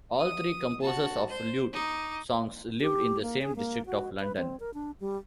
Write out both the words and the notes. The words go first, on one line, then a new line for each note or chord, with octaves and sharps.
All three composers of lute songs lived in the same district of London.
D#6
F#4 A5
C5
D#4 D6
G4
A#3
G#4
A#3
F#4
B4
C4
A#4
D4
G3